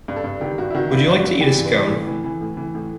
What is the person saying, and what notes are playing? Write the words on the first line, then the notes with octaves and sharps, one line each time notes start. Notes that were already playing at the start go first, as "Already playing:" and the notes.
Would you like to eat a Scone?
G2
A4
G2
D#3 G4
G2 F#4
E4
D#3 F#4
G2 E4
G2
F#4
G2
E3 G4
G2
B4
E3
A2
E3
E3
A2
E3
A2